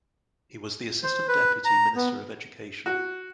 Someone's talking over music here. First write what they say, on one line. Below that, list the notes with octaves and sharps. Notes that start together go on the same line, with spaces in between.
He was the assistant deputy minister of education.
C5
B4
A#5
B3
F#4